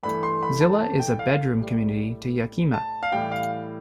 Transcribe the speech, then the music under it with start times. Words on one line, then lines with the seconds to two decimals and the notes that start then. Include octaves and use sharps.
Zillah is a bedroom community to Yakima.
0.03 G2 E3 A3 B5
0.23 C6
0.43 B5
0.61 A5
0.80 A5
1.00 G5
1.19 F5
1.58 A2 G3
2.74 A5
3.03 F5
3.12 A2 E3 G3 G5
3.32 F5